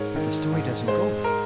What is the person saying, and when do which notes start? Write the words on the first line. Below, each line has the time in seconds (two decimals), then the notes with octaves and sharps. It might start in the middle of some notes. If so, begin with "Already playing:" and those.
But the story doesn't go right.
Already playing: G#2 G#3 A#4 C#5
0.16 D#3
0.52 G#2
0.88 G#3 C5
1.24 A#4